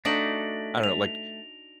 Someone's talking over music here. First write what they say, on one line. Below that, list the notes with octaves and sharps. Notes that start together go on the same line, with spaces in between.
I don't know, like,
A3 D4 D#4 F#4 A#6 D7 F#7
F7